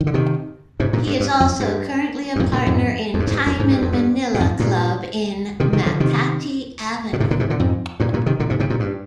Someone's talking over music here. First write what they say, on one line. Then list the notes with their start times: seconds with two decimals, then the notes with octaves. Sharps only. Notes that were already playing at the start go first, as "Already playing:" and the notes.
He is also currently a partner in "Time in Manila" club in Makati Avenue.
0.01 D#3
0.07 D3
0.14 C3 D#3
0.80 G#2 C3
0.93 G2 A#2
1.07 G2
1.20 G2
1.40 F2
1.60 G2
2.36 G2
2.39 F2 G#2
2.53 G2 A#2
2.67 F2 G#2
3.14 F2
3.20 G2
3.27 G#2
3.33 G2
3.46 F2
3.59 G#2
3.71 G2
3.82 F2
3.93 G2
4.34 A#2
4.40 F2 G#2
4.59 G2 A#2
5.60 C3 D#3
5.73 C3 D#3
5.86 D3 F3
6.00 C3 D#3
7.13 A#2
7.20 G#2 C3
7.31 A#2 D3
7.40 G#2 C3
7.50 A#2 D3
7.60 F2 G#2
8.00 G2 A#2
8.13 G2 A#2
8.26 C3 D#3
8.40 A#2 D3
8.50 G#2 C3
8.60 G#2 C3
8.70 G2 A#2
8.80 G2